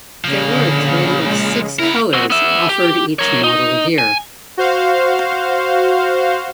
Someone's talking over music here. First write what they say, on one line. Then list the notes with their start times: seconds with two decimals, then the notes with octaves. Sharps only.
There were a total of six colors offered each model year.
0.25 C#3 F3 A#3
0.49 D3
1.26 G#3
1.79 B3 E4 A#4
2.13 C4 F#4
2.30 B3 E5
2.69 G4
3.19 A#4 C#5
3.44 D#4
3.98 G#5
4.57 F#4 C5 F5